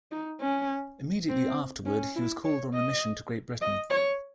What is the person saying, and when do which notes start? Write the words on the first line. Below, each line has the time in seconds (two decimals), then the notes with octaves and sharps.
Immediately afterward, he was called on a mission to Great Britain.
0.12 D#4
0.41 C#4
1.29 C4
1.86 C#4
2.16 E4
2.45 C#5
2.74 D#5
3.61 D#5
3.90 C#5